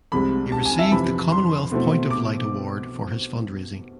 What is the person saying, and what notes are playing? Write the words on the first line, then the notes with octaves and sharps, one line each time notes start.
He received the Commonwealth Point of Light award for his fundraising.
C2 C3 G#3 B5
A5
G#5
E5
F2 C3 E3 B5
C6
B2 A3 C4 E4
D6